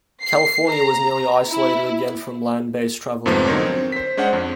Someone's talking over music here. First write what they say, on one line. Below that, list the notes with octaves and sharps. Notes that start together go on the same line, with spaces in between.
California was nearly isolated again from land based travel.
C7
A#5
E4
F2 G#2 C3 F3 A3 B3
D3 F#3 D#4 A#4 C5 C#5
C4
C5 B6
G#3 C#4 D4 C5 F#5
F2